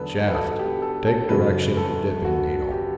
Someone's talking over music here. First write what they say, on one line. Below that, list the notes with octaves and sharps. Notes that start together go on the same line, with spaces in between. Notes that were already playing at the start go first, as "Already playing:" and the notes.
Shafts: take direction of dipping needle.
Already playing: E2 D3 F#3 A4 B4
B4
A4
G4
A4
A4
F#2 C#3 F#3 B4
A4
F#4
G4